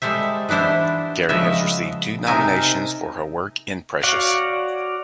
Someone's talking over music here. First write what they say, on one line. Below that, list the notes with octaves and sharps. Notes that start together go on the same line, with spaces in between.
Carey has received two nominations for her work in "Precious".
G3 G#3 A4 C5 E5
E3 B3 D4 E4 C5
C#3 F3 G#3 B3 D#5 E5
C3 C4 D#4 A#4 G#5 A5
F#4 C#5 D5 F5 F#5